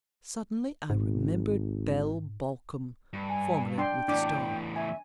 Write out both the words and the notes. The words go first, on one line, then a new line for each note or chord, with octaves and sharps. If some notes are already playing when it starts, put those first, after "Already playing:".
Suddenly I remembered Belle Balcom, formerly with the Star.
G#1 G#2
G2
G#5
D4 G5 C6
E2 A2 D4 D6
E5 G#5